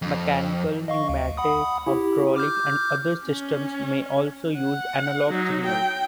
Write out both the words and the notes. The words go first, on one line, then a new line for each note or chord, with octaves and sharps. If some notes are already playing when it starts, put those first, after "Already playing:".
Mechanical, pneumatic, hydraulic, and other systems may also use analogue signals.
F2
D#5 F5 C#6
D2
F#5 B5 D#6
E4 G4
D6 F6 G6
C#4
F#5
F#3 D#4
G5